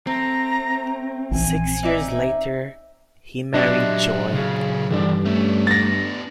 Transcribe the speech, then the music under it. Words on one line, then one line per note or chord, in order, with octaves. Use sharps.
Six years later, he married Joy.
A3 C4 A#5
A#1 E3 G#5
D#4 D5 E5
A#2 F#3 D4 G4 D#5 E5
C#3 G#4
G2 E3 A4 D5
A3 C#4 D4
B3 D4 A6 A#6